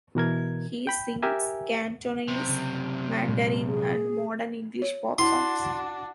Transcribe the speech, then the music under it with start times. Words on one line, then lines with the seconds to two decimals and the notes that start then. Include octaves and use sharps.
He sings Cantonese, Mandarin and modern English pop songs.
0.15 B2 E3 A#4 G#6
0.87 G5 B5
1.22 G4 A#4 E5 G#5
2.28 F#2 C3
2.48 C#3
3.28 A#2 G#3
3.67 G#4
4.82 C#5
5.18 D4 E4 F#4 C6